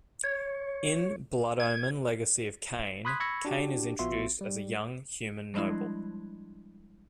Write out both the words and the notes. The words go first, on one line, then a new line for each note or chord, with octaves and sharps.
In "Blood Omen: Legacy of Kain", Kain is introduced as a young human noble.
C#5
G#6
B5 C6 D#6 F#6 G#6 B6
B5 C#6 E6 G#6 A#6 C#7
D4 F#4 G4
A#1 B3 F4 F#4 E5 C6
G3
F3 G3 G#3 D4 E4